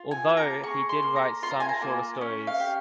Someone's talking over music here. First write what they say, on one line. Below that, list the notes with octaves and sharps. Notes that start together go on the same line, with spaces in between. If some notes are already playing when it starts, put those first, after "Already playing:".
Although, he did write some shorter stories.
Already playing: F4
G#5
A#3
A#5
G#4 C#6
C6
A#3
A#5
F4 C6
A#5
G#5
A#5
A#3 G#5
C#4
F5
G4